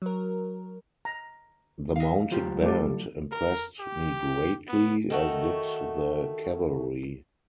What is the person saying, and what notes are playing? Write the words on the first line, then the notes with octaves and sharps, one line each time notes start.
The mounted band impressed me greatly, as did the cavalry.
F#3 A#4
A#5
D#5 F5
F#3 F4 G4
G3 A3 D5
A#4
G4
B3
D#3 A3 F#4